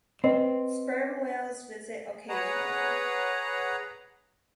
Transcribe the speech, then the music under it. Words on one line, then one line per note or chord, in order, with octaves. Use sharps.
Sperm whales visit occasionally.
C4 B4 D#5
G#4 B4 C#5 F#5 A#5